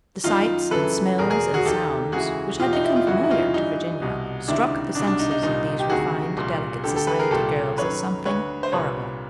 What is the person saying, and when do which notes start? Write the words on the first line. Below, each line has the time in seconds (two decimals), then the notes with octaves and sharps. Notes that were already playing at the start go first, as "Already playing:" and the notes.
The sights and smells and sounds which had become familiar to Virginia struck the senses of these refined, delicate society girls as something horrible.
0.24 F#2 D#3 D#4 F4
0.71 F#2 C#3 E3 A4 B4
1.18 E2 B2 G#4 A#4
1.30 G#4 A#4
1.54 F#4 G#4
1.65 D#2 D#3 G4 A4
2.12 C#2 C#3 E3 F#4 G#4
2.60 E2 B2 F4 G4
2.73 D#4
2.84 E4
2.96 F4
3.07 F2 C#3 E3 E4 F#4
3.23 E4
3.30 D#4 F4
3.54 G2 E3 D#4
4.01 C2 B2
4.48 C#2 C3 D#3 D4 E4
4.95 B2 D4
5.00 C2
5.07 D4
5.19 D#4
5.31 D#4
5.43 C2 A#2 D#4
5.79 G4
5.89 D2 C3 D#3 F#4 G#4
6.37 C2 A#2
6.84 D2 D3 G4 A4
6.96 G4 A4
7.07 A4 B4
7.20 G#4 A#4
7.31 C2 A#2 G4 A4
7.78 F#2 D#3 B4 C#5
8.25 D2 D3 B4 C#5
8.63 C5
8.72 C2 A#2 B4 C#5